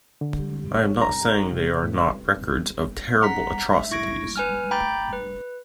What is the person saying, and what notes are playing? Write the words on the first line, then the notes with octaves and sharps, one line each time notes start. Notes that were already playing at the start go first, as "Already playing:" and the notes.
I am not saying they are not records of terrible atrocities.
D3
C#5
A#5
C3
A2
E6
F#5 A#5 B6
E5
E4 C#6 G#6 A#6 D7
B4 G#5 F6
G5 A#5 B5 D6 G6 A6
B4